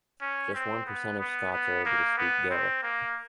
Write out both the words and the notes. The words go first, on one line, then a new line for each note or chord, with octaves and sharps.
Just one percent of Scots are able to speak Gaelic.
C#4
C4
B3
B3
B3
A#3
B3
C4
A#3